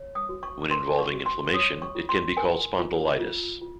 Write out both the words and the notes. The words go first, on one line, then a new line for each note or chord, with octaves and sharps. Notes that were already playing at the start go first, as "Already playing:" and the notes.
When involving inflammation, it can be called spondylitis.
Already playing: C#5
D#6
F#4
C#6
A#4 C6
C#6
F#4
C6
C#5 D#6
C#6
F4
C6
A#4 G#5
F4
F4
F4